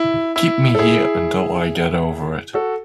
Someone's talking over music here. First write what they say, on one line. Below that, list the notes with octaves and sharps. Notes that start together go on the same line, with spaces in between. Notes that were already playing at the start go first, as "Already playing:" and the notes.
Keep me here until I get over it.
Already playing: E4
E4
A4
E4 G#4
F#4 A4